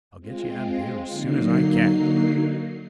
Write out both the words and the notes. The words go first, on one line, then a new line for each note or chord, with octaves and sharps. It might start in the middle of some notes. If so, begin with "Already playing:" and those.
I'll get you out of here as soon as I can.
G#3 C4 F4
D3 F#3 A#3 D#4 C7